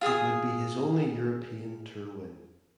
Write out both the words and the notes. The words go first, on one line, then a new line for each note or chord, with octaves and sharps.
It would be his only European Tour win.
F4 G#4 G#5 D#6